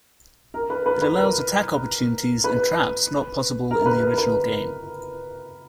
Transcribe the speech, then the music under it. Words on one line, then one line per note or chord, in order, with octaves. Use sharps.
It allows attack opportunities and traps not possible in the original game.
A#4
B4
B4
B4
A#4
B4
A#4
A#4
B4
A#4
B4